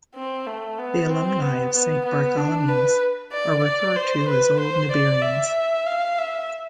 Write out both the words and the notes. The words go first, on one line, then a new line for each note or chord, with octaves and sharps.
The alumni of Saint Bartholomew's are referred to as "Old Newburians".
C4
A3
B3
C4
B3
B3
B3
D4
B4
D5
D5
C5
B4
C5
D5
E5
F5
E5